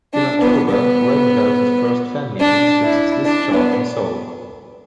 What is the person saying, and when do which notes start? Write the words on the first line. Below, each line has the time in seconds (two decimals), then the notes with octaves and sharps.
In October, Rain held his first fan meeting since his discharge in Seoul.
0.14 D4
0.42 B3
0.70 B3
2.40 D4
2.83 E4
3.26 D4
3.54 B3